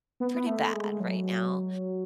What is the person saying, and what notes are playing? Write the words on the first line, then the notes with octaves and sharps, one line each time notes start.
pretty bad right now.
B3
B3
A3
G#3
F#3